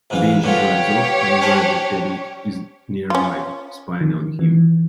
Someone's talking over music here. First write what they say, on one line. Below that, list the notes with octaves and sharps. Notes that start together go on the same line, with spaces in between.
Benji drives off, unaware that Ted is nearby, spying on him.
G#2 E3 F5
D3 B3 F4 G4 C#5
C#4 D4 C5
C#4 F4
D#3
E3